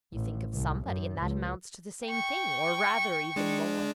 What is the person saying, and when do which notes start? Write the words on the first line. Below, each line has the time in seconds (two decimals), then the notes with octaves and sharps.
"You think of somebody, and that amounts to the same thing, or rather even more."
0.14 A1
0.54 C2
0.87 F#2
1.20 C#2
2.06 G5 C#6
3.36 G#3 D4